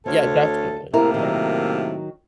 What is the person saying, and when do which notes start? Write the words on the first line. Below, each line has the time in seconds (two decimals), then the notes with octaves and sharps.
Yeah, definitely does.
0.06 D2 C4 A4 C#5
0.93 A2 C3 A#3 E4 A#4
1.14 D#3 F#3